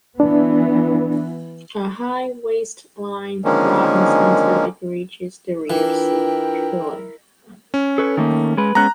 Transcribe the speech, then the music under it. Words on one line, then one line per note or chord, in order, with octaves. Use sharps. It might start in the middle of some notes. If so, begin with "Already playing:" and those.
A high waistline broadens until it reaches the rear "C" pillar.
E3 B3 D4
D3 D#3 F3 G#3 A#3 C#4
E3 D4 E4 F4 A#4 B4 G5
C#4
A4 B4 C#5
D#3 A3 A#3
G#3 B4
G#3 B3 C#4 A#5 F#6